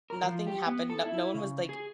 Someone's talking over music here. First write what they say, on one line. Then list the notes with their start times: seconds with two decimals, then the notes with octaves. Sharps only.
nothing happened, no no one was like,
0.10 A#4
0.24 F3
0.47 G4
0.66 B3
0.90 A4
1.06 E4
1.34 C#3
1.69 G#4